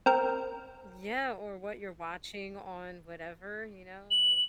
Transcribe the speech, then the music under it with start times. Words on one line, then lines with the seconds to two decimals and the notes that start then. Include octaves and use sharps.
Yeah, or what you're watching on whatever, you know, like
0.06 C4 A#4
4.11 F#7